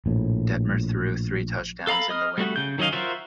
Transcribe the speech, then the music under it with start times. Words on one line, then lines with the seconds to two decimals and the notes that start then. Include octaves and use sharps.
Detmer threw three touchdowns in the win.
0.06 A#1 A2
1.87 A4 F5 A#5 B5
2.09 D#5 D#6 F6
2.38 G3 A3 F#4
2.56 C#3 G6
2.78 D#3 F#3 C#4 D#5 F5
2.92 F4 F#4 A#4 C5 E5